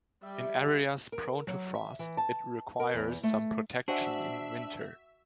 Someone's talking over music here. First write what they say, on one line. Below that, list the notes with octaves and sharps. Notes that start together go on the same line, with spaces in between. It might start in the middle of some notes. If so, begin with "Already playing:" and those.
In areas prone to frost, it requires some protection in winter.
G3 G4 E5
A#4
F#3
E5
E3
A5
A#4
E2
A3
D4 F#4 C5 D#5 E5 F#5 G#5